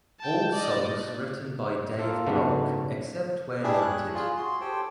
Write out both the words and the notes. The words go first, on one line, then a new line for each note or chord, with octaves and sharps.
All songs written by Dave Brock except where noted.
G5 A5
D5 D#5
A#3 F4 A4
G#2 C#3 F#3 A3 B3 D4
D4 E4 G4 G#4 D5 E5
C#5 F#6
F4 G#4
F#4 C6
G4 A4 C5 C#5 G5